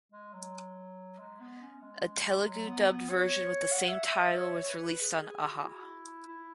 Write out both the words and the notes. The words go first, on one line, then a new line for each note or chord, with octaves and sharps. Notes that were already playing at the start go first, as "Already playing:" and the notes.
A Telugu dubbed version with same title was released on Aha.
G#3
F#3
G#3
B3
C#4
G#3
F#3
B3
B3
C#5
F#5
E5
E5
E5
C#5
C#5
B4
G#4
G#4
F#4
E4
E4